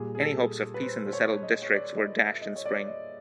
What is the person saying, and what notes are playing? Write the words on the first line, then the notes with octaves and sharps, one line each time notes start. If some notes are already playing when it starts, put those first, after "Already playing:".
Any hopes of peace in the Settled Districts were dashed in spring.
Already playing: A#2 G3 G#4
G#4
A4
B4
C5
C5
C#5
D#5
C#5
D5
D#5
E5
D#5
C#5
D5
D#5